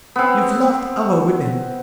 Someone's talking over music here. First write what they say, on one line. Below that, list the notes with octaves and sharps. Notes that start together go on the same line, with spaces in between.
You've loved other women.
B3 C4